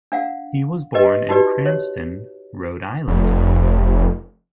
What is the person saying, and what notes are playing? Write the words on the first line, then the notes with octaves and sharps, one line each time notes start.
He was born in Cranston, Rhode Island.
D4 F5 F#5
G4 B4 D#5
D#4 F#4 G4 B4 D5
C#5
F1